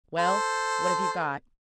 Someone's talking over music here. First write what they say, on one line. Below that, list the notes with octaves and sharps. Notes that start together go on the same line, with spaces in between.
"Well, what have you got?"
A4 C5